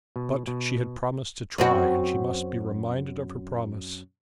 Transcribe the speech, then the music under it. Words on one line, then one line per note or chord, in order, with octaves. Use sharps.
But she had promised to try, and she must be reminded of her promise.
B2
B2
F#2 C4 F#4